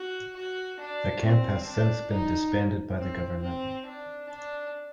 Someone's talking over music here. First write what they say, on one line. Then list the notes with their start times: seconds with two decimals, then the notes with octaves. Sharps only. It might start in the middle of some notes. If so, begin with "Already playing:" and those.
The camp has since been disbanded by the government.
Already playing: F#4
0.36 F#4
0.79 D4
1.23 C4
1.66 D4
2.11 D#4
2.98 C4
3.42 C4
3.86 D4
4.29 D4